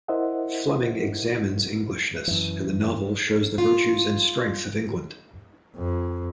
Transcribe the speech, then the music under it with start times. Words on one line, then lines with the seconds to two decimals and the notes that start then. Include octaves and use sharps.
Fleming examines Englishness, and the novel shows the virtues and strength of England.
0.08 E4 A#4 C5 D#5 E5 F#5
2.27 F#2 E3
3.58 F4
5.76 F2